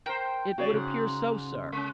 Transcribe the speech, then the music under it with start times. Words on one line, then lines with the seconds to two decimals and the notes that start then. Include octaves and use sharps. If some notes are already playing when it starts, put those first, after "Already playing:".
"It would appear so, sir."
0.06 A#4 C5 G5
0.58 C#3 F#4 C#5 D5
0.73 G#2 C#3
1.72 G#3 C#4